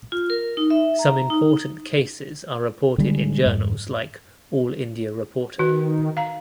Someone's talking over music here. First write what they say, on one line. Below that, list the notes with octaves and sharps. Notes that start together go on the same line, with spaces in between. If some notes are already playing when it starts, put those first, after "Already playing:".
Some Important Cases are reported in Journals like All India Reporter.
F4
A#4
D#4
E5
A#5
D#4
D3 G3 G#3
F2 G#2
D#3 F#4 B4
F5 A#5